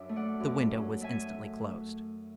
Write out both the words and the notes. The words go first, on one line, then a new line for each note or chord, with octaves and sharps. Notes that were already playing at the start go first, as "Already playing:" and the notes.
The window was instantly closed.
Already playing: F#2 D4 E5
A3
D5 F#5
F#2
C#4
A3 E5 G#5